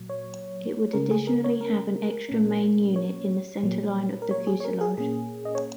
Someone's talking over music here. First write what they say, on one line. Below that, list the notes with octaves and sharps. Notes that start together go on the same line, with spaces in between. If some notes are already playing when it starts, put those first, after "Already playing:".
It would additionally have an extra main unit in the centerline of the fuselage.
Already playing: A#2 F#3
C#5
C#3 G#3 C#4 A#4
G#4
A#4
C#5
A#4
A#2 A#3 C#4
C#5
A#2 F#3 A#3
A#4
C#5
G#4
C#5
A#4
G#4
A#2 A#3 C#4 G#4
D#5
C#5